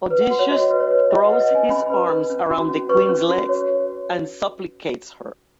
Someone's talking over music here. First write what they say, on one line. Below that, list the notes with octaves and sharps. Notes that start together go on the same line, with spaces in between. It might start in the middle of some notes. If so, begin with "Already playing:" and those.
Odysseus throws his arms around the queen's legs and supplicates her.
B4
F#5
F#4
C#5
F#4 D#5
B4
C#5
B4
B4 D#5
F#5
B4
D#5
C#4 G#5
C#4 B5
B4
B4
C#4
F#4
C#4
B4 C#6
C#4
F#4
C#5